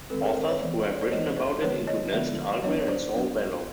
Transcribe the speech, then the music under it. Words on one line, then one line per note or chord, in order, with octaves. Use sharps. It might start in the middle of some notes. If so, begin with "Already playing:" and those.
Authors who have written about it include Nelson Algren and Saul Bellow.
D#3 G#3 C4 A4 B4
G#4 A#4
A#4 C5
B4 C#5
E3 G#3 B3 C5 D5
D5
C#5
C5 D5
E3 G#3 B3 C#5 D#5
C5 D5
D3 F3 G#3 B3 B4 C#5
C#5 D#5
D3 F3 G#3 B3 D5 E5
F#3 B3 D4 C#5 D#5
C#5
C5 D5
F#3 B3 D4